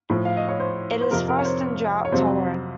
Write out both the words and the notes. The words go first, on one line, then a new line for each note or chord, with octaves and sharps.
It is frost and drought tolerant.
A2 F3
F5
D#5
C#5
C5
C5
F2 C3 F3 A#4
A#4
C#5
C5
C#5
F2 C3 F#3 C5